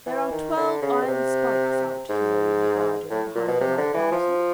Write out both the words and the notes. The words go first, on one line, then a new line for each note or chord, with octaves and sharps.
There are twelve iron spikes out here in the garden behind my castle.
E3
D#3
D3
C#3
B2
C3
G#2
A2
A#2
B2
C3
D3
E3
F3